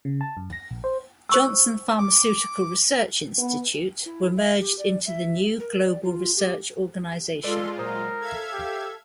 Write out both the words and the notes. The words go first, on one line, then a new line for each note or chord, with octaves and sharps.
Johnson Pharmaceutical Research Institute were merged into the new global research organization.
C#3
A5
F#2
A#6
A#1
C5
C5 C#6 E6
D6
B3
E4
E5
G4
D5
E5
A#4
D5
F4
G4
G#3 F4 A4 B4 D5 C6
A#2 F#3 A#4 C5 D#6
A4 E5 F5 G#6
G4